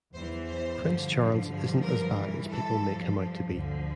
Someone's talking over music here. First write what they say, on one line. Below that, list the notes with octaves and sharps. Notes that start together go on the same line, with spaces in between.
Prince Charles isn't as bad as people make him out to be.
E2 E3 C5
C5
G2 D3 F3
G2 D3 F3
A#4
G2 E3
A4
G2 F3
D2 D3 F3